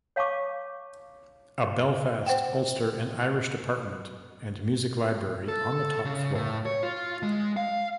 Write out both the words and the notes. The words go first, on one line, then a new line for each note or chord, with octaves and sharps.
A Belfast, Ulster and Irish Department and Music Library on the top floor.
C#5 F5 A5 C#6 D6
C5 F#5 G5
A4
C#3
A2
C#5
F4
G#3
F5